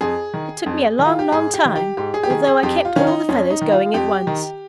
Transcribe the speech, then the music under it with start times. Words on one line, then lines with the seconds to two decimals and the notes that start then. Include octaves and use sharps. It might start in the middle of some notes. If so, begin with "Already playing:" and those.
"It took me a long, long time, although I kept all the feathers going at once."
0.01 F2 G#4
0.34 D#3
0.66 F2
0.99 D#3
1.06 F4
1.19 G4
1.32 G#2 G#4
1.54 G4
1.65 D#3
1.76 G4
1.97 G#2 G4
2.14 G#4
2.23 G4
2.30 D#3 G#4
2.47 G#4
2.63 F2 G4
2.85 F4
2.96 D#3 C#4
3.07 D#4
3.29 F2 C#4
3.50 D#4
3.61 D#3
3.72 F4
3.94 F2 G4
4.27 D#3